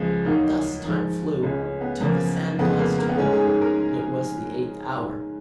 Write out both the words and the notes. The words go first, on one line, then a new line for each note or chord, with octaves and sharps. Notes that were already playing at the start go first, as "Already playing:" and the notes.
Thus time flew, till the sand-glass told her it was the eighth hour.
Already playing: C#2 C#3 F3 G#3
D#2 D#3 F#3 A#3 D#4
G#2 F3 G#3
C#2 C#3 G#3 C#4
C#4
B3
F#2 C#3 F3 A#3
F2 C#3 G#3 B3
A#3
A#3
B3
G#2 D#3 G#3 C#4
G#4
G#4
A#4